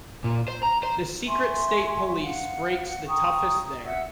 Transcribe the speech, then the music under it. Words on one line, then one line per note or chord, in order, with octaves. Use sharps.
The "Secret State Police" brakes the toughest there.
A#2
C5
A#5
C5
E5 G#5 C6 C#6
F5 F#5
G5 A#5 C#6 D#6
E5 F#5 E6